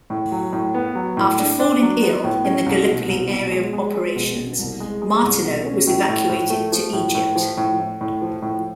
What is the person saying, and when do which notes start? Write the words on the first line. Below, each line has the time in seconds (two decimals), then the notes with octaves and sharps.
After falling ill in the Gallipoli area of operations Martineau was evacuated to Egypt.
0.10 A2
0.32 F#3
0.53 A2
0.74 B3
0.95 F#3
1.17 A2
1.39 D4
1.60 D4
1.82 F#3
2.03 B3
2.24 A2
2.45 C#4
2.66 C2
2.87 B2
3.09 C2
3.30 B2
3.52 G#3
3.73 G#3
3.94 G#3
4.16 B2
4.37 B2
4.59 C2
4.80 G#3
5.02 G#3
5.22 C2
5.44 B2
5.65 C#4
5.87 A2
6.09 A2
6.29 A2
6.50 A3
6.72 F3
6.93 A2
7.15 A2
7.36 F3
7.57 A2
7.79 A2
8.01 A2
8.22 F3
8.42 A2